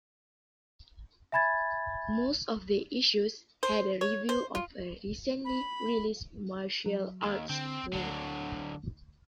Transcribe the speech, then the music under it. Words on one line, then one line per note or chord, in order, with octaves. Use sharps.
Most of the issues had a review of a recently released martial arts film.
E5 G#5 B5 G#6 A6
C5
C#5
C5
F4
B5
F#3
D#2
D3 C4
D2 D3 F#3